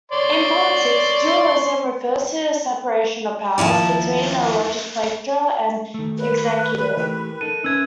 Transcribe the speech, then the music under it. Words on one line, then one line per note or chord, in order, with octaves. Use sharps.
In politics, dualism refers to the separation of powers between the legislature and executive.
C#5 D5 C6
D#2 F3 E4 A5
D#3 A3
A#4 B4
F#6
E3 A3 G4
D#4 A4 D#7
C#4 B4 E5 E6 G#6